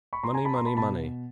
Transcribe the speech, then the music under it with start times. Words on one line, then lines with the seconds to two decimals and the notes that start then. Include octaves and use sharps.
"Money, money, money!"
0.13 B5 C#6
0.23 A#5 C6
0.34 G#5 A#5
0.45 A5 B5
0.55 A#5 C6
0.66 A5 B5
0.77 B2 A5 B5